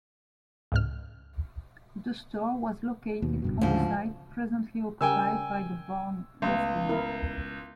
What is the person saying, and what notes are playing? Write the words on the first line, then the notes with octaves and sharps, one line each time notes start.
The store was located on the site presently occupied by the Barn Restaurant.
C#2 G#2 F6
D#2 B2
F#1 G2 B2
D2 G#2 C#3 F3
C#3 G3 A#4 G5 G#5 E6
C#2 A3 B3
B3 E4 A#4